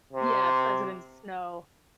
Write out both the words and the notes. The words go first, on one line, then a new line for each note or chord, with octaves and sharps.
Yeah, President Snow.
C3